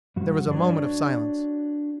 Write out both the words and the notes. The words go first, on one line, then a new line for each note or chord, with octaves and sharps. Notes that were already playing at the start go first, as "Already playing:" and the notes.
There was a moment of silence.
G2 F3 F#4 F#5
D4 F#4 B4 C#5 D5